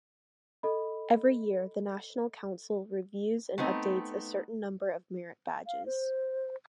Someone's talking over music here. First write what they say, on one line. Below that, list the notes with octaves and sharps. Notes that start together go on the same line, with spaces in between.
Every year the National Council reviews and updates a certain number of merit badges.
A4 D#5 B5
A3 B3 C4 D#4
F5
C5